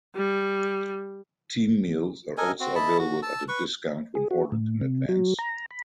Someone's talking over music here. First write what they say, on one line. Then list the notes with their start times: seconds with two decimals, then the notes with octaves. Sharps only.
Team meals are also available at a discount when ordered in advance.
0.16 G3
2.37 A4 A#4 D#5 G#5
2.60 C4 F#4
2.75 E4 D#5 A5 B5
2.99 F#4
3.23 A5 E6
3.48 B4 C#6
4.15 G#4
4.31 F#4
4.52 A2
4.81 C3
5.09 F#3
5.39 A#5
5.71 B5